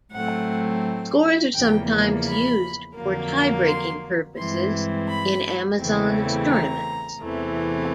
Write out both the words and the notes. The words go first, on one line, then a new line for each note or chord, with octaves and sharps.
Scores are sometimes used for tie-breaking purposes in Amazons tournaments.
A2 F#3 A3 C4 F#5
E2 C#3 F3 A#3 G5
B5
F2 D3 F#3 A#3
C6
G2 E3 G#3 C4 C6
B5
E2 C#3 E3 A3 C4
A#5
E2 C3 E3 A3 C4